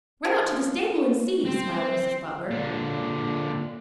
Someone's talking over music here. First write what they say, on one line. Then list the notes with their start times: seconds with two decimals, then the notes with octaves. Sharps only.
"Run out to the stable and see," smiled Mrs. Butler.
0.25 F3
1.45 C4 C5
2.50 A#2 D3